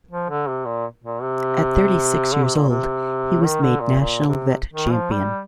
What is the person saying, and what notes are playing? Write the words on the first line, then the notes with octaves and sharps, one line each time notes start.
At thirty-six years old, he was made National Vet Champion.
F3
D3
C3
A#2
A#2
C3
D3
C3
A#2
C3
D#3
D3
A#2
A#2
C3
D#3
F3
G3